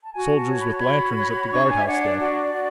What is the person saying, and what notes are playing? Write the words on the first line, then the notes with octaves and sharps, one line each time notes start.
Soldiers with lanterns, at the guard-house there.
A5
F#4 G#5
A5
C#5
B5
A5
F#4 B5
C#5
D4 C#6
F#5
G#5
E5
D4 F#5
C#5
D5
F#4 D5
F#4